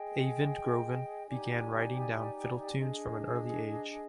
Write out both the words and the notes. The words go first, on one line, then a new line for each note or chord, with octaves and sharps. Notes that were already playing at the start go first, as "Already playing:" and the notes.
Eivind Groven began writing down fiddle tunes from an early age.
Already playing: G#4 D#5 G5
D#4 G4 D5 G#5
D4 G#4 D#5